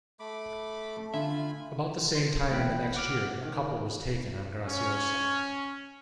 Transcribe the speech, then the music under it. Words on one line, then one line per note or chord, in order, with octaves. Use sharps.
About the same time in the next year, a couple was taken on Graciosa.
A3 B5 D6
A3
D3 F4 E5 G#5 B5
C6
A1 A2 E4 G5 F#6 B6
F#5 D6 F6
D#3
C#4